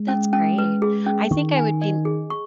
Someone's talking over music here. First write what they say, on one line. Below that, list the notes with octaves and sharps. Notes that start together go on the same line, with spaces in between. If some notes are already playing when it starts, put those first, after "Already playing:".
That's great, I think I would be
Already playing: G#3
C#4
C#4
B4
G#4
C#4
D#3 C#6
G#5
D#5
G#4
C#6